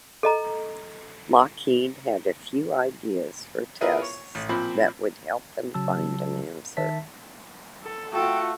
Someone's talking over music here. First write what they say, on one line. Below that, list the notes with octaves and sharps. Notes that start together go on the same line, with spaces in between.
Lockheed had a few ideas for tests that would help them find an answer.
A4 D#5 A#5
B3 E4 F4 G#4 A#4 B4
C#5
A1
A#2 F3 C4 B5
C#3 F#3 A5 E6
D#3 E5 A5 B6
A4
A3 F4 F#4 A4 G5